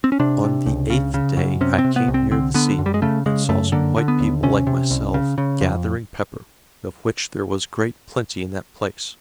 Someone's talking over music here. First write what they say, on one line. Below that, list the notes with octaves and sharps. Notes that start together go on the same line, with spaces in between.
On the eighth day I came near the sea, and saw some white people like myself gathering pepper, of which there was great plenty in that place.
C4
C#4
C3 D4
C3
C#2
C#3
C#3
F#2
C3 C#4
C4
C3
B3
C2
C4
D3 C4
D3 B3
F#2
G3
G#3
C#3 A3
C#3 G#3
F#2 A3
D3 A#3
D3
B3
D#2
C3 C#4
C3
C2
C#3
C#3
F2